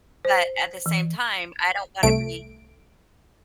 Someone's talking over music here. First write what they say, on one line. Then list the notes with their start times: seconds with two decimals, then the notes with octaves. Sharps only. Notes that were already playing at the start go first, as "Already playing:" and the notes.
but at the same time, I don't wanna be
0.25 C5
0.86 E3
2.03 C2 A3 D7